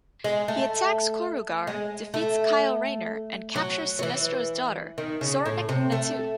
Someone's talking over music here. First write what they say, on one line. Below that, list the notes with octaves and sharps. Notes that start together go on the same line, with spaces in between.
He attacks Korugar, defeats Kyle Rayner and captures Sinestro's daughter, Soranik Natu.
G#3
A3
G#3
A3
F#3
F#3
E3
D#3
C#3
A2
C3
A3